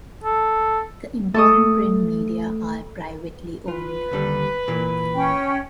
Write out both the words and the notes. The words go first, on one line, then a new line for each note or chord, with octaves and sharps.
The important print media are privately owned.
A4
A3 A4 C#6 D#6
F4 B4
D#2 D3 G3
A#2 E3 A#3
C#4 G5